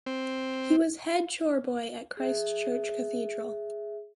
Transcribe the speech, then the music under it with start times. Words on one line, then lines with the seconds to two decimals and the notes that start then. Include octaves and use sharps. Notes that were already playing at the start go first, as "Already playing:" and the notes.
He was head choirboy at Christchurch Cathedral.
0.06 C4
2.17 G#4 E5